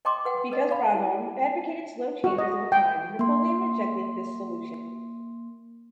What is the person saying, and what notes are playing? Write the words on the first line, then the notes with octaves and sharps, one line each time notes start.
Because Proudhon advocated slow changes over time, Napoleon rejected this solution.
D#5 G5 A#5 C6 D6
B4 F#5 G5
B4 D#5
D5 F5 B5
E4
F#4
D#5
G5
A#3 C6